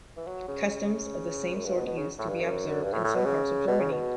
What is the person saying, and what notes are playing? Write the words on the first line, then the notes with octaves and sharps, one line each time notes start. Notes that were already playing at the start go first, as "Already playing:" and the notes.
Customs of the same sort used to be observed in some parts of Germany.
E3
F#3
C#3
F#2
G2
B2
B2
C#3
A2
G2
F#2
G2
A2
A2
B2
C#3
B2
C#3
B2